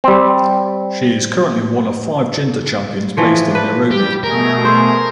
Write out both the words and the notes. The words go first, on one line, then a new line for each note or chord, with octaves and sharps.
She is currently one of five Gender Champions based in Nairobi.
G3 C4
E3 F3 C#5
D4 B4
G3 G4
B2 A3 G#4 A#4
C5